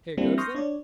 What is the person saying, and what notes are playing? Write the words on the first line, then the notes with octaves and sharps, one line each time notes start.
Here goes then ...
G3 A#3 C4 D4 E4
C6 C#6 D#6 F6 G6 A#6
D4 C#5 D5